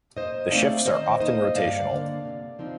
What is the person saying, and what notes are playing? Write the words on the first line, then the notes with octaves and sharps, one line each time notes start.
The shifts are often rotational.
A#2 C5 D#5
A3 C4 D#4 D5 F5
D#3 C5 D#5
A#3 D#4 C5 D#5
G2 D5 F5
D3 G3 A#3
C3
F3 C4 D#4